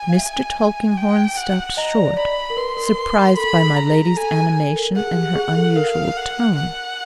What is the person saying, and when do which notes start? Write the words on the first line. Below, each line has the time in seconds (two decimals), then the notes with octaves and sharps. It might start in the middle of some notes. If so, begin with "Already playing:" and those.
Mr. Tulkinghorn stops short, surprised by my Lady's animation and her unusual tone.
Already playing: G#5
0.09 F5
0.18 E5
0.97 G5
1.37 F#5
1.77 D#5 A#5
1.97 D5
2.17 D5 B5
2.50 A#4
2.57 B4 C6
2.77 A#4
2.97 B4
3.17 A#4
3.37 A4 B5
3.63 G#4
3.76 A#5
3.90 G#4
4.16 A4 G#5
4.37 G#4
4.72 A4
4.76 A#4
4.96 G#4 F#5
5.07 G#4
5.16 G4
5.36 G#4
5.56 A4
5.76 A#4 F5
6.16 F#5
6.56 F#5